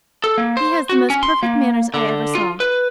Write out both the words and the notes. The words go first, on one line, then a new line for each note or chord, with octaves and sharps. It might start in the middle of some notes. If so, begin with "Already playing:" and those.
He has the most perfect manners I ever saw.
A4
A#3
C5
F#4
C#4
C6
A#3
D3
F4
B4